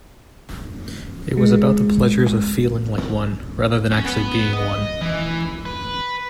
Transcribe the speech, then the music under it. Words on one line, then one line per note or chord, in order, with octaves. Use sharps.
It was about the pleasures of feeling like one rather than actually being one.
G#3
C#4
B3
D#5
E3
B4